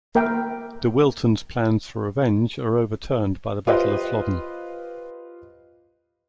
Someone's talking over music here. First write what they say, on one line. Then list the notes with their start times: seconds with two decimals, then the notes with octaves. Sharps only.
De Wilton's plans for revenge are overturned by the Battle of Flodden.
0.15 A#3 A#4 E5 G5
3.67 F4 G4 B4 C5 D#5